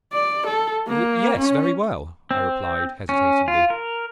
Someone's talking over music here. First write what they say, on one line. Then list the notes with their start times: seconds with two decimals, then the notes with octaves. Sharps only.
'Yes, very well,' I replied, hesitatingly.
0.13 D5
0.47 A4
0.87 A#3
1.39 C#4
2.31 C4
3.09 C#4
3.48 F4
3.70 A#4